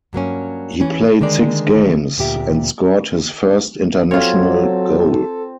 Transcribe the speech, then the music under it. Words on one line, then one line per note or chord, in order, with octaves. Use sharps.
He played six games, and scored his first international goal.
G2 F#3 A#3 C#4
E3 C#4
D3 D#3 G#3 D5
D2 A#2 G4 E5
F#3 C4 F4 A4 C#5